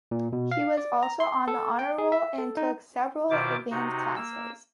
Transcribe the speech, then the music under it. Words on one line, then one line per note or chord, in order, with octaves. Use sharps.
He was also on the Honor Roll and took several advanced classes.
A#2
B2
F5
D5
A#5
C6
A4
G5
G#4
E5
A4
D#4
B2 D#3 E4 F4 C5 D6
C3 D#4 F#4
A#3 E6